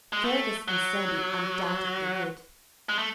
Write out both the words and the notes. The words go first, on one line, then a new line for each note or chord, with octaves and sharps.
Fergus and Sandy undoubtedly would.
G#3
A3
F#3
G#3
A3